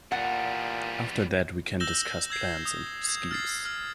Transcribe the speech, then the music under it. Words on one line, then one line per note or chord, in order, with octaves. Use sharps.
After that we can discuss plans and schemes.
E2 A#2 G3 F#5
E6 G6 A#6 E7 G7
E6 G#6 C7
D#6
G#6
F6 A6 C7
F6